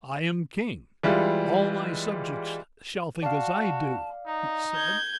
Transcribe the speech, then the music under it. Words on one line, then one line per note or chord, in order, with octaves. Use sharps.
'I am king; all my subjects shall think as I do,' he said.
E3 G3 G#3 F4
F#4 D5 F5 A5
D#4 A#5
G6 G#6